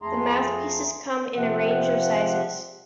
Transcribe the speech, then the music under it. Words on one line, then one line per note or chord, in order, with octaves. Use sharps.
The mouthpieces come in a range of sizes.
F2 A3 G#4 A#5 C6
C3 F3 F#5